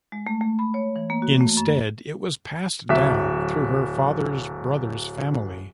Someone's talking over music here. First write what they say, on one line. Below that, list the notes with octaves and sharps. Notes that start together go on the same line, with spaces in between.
Instead, it was passed down through her father's brother's family.
G#3
A3
A3
B5
C#5
E3
A#3
F#4
A3
F#2
D1 F#3 E5